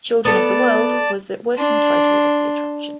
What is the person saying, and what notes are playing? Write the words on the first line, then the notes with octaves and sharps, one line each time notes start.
"Children of the World" was the working title of the attraction.
B3 A4 D5 A5
D4 C6